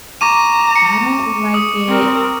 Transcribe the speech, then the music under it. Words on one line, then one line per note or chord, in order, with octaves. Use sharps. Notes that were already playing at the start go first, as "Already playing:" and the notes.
I don't like it
A#5 C#6 D6 D#7
C#7
D#6
C4 A#4